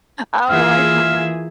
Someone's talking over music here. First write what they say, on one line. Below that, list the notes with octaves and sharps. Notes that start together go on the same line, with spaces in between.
Oh, I like that.
E3 A#3 F4 G#4 E5 F5